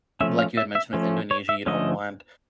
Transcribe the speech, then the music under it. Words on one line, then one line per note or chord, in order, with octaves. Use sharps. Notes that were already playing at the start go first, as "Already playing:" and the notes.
like you had mentioned with Indonesia, you don't want
F3 A3 C#4 E5
F5
E5
E5
F3 A3 C#4
C#5
E5
D3 F3 A3 C#4 D#5